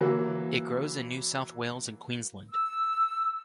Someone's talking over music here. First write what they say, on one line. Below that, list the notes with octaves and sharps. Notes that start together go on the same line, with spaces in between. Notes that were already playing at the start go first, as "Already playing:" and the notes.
It grows in New South Wales and Queensland.
E3 F#3 A#3
E6